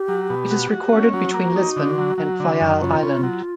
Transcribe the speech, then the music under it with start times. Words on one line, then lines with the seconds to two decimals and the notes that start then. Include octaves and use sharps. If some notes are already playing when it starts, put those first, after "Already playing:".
It is recorded between Lisbon and Faial Island.
Already playing: G4
0.08 F#3
0.30 B2
0.51 F#4
0.71 F#4
0.93 C#4
1.13 F#3 F#4
1.34 A#3
1.56 D#4
1.76 D3
1.98 F#3
2.18 F#3
2.40 D3
2.61 F#2
2.82 C#3 F4
3.03 C#3
3.23 F#3